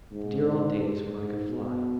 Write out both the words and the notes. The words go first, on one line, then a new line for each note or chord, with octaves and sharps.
"The dear old days when I could fly!"
G#2
G#2
B2